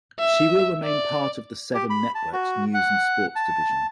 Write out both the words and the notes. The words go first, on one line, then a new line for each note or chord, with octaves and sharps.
She will remain part of the Seven Network's news and sport division.
E5
D5
G4
B5
A5
F#4
F#5
A5